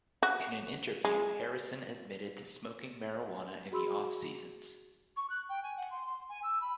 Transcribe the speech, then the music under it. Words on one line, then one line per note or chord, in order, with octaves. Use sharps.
In an interview, Harrison admitted to smoking marijuana in the offseasons.
F#4
G#3
F#4 G#4 B5 C6 E6
C#6
F#6
G5
G#5
F#5
C6
C6
G#5
E6
B5